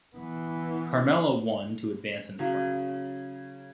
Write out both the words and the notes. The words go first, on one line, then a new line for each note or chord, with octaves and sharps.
Carmella won to advance in the tournament.
E3 B3
C#3 F#3